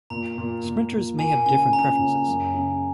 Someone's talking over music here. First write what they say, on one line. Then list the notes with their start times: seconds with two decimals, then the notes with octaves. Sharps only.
Sprinters may have different preferences.
0.10 A#2 A#5
0.38 A#2
0.65 A#2
0.92 A#2
1.19 A#3 G#5
1.46 C#3 G#5
1.73 C#4 A#5
2.00 C#3
2.27 F#2
2.54 C#3